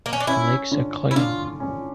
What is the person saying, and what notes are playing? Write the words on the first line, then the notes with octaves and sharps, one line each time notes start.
The legs are clean.
A#3
C#4
D4
C#4 E4
D3
E4
D3 F4
C#4